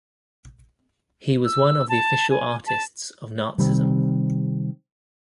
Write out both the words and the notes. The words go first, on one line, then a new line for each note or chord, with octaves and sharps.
He was one of the official artists of Nazism.
E6
A5
G#5
A5
C3 D#3 G3 C4